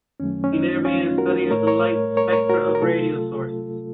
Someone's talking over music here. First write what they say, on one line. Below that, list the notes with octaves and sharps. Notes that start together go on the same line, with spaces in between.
He later began a study of the light spectra of radio sources.
F#2 D#3 F#3 A3 C#4
C#4
D#4
C#4 F4
F#4 A#4
A2 A3 A#4 C#5
A#4 C#5
A#4 C#5
A#4 C#5
F#4 A#4
A#4
C3 F#3 A3 F4 A4